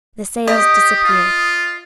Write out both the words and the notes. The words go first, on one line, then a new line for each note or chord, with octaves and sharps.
The sails disappeared.
G4 D#5 D#6
F4